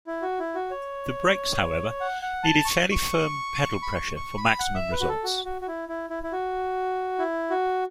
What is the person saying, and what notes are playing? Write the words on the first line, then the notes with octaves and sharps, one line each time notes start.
The brakes, however, needed "fairly firm pedal pressure ... for maximum results".
E4
F#4
E4
F#4
C#5
F#5
F#5
A5
C#6
C#6
B5
C#6
C#6
B5
F#5
E5
B4
F#4
A4
F#4
F#4
F#4
E4
E4
E4
E4
F#4
E4
F#4